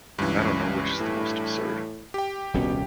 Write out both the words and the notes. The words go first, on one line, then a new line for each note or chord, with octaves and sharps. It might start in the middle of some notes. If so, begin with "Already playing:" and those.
I don't know which is the most absurd.
C#2 G2 E3
A2
G4 G5
D#1 C2 B2 C#4